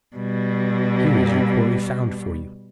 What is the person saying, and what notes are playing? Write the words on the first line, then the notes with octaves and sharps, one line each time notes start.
Here is your quarry found for you.
B2 G3